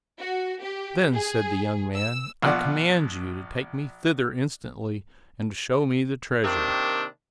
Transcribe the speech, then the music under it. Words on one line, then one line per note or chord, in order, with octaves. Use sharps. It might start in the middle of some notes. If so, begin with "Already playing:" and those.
"Then," said the young man, "I command you to take me thither instantly, and to show me the treasure."
F#4
G4
G#4
E6
A#1 B2 F4 D5 F#5
C3 D#3 A#3 D4